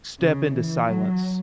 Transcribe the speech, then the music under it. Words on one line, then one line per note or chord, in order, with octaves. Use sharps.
step into silence,
C#3
E3
F#3